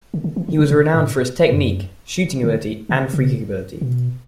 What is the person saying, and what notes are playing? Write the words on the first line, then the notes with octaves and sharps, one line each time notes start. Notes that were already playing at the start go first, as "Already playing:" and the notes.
He was renowned for his technique, shooting ability and free kick ability.
D3
D3
E3
D3
C#3
B2
A2
F#2
D3
D3
C#3
B2